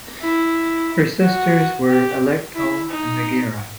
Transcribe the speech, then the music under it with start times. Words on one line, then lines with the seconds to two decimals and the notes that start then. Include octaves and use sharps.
Her sisters were Alecto and Megaera.
0.21 E4
1.22 F#4
1.89 G4
2.56 E4
2.89 D#4